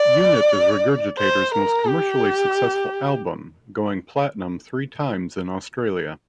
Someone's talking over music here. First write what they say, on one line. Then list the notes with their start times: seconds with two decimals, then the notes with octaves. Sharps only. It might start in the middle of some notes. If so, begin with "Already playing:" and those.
"Unit" is Regurgitator's most commercially successful album, going platinum three times in Australia.
Already playing: D5
1.19 C5
1.54 A#4
1.89 G4